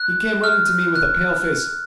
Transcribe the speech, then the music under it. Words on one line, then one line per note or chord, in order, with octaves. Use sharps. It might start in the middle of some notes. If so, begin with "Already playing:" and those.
He came running to me with a pale face....
Already playing: F#6
F6
F#6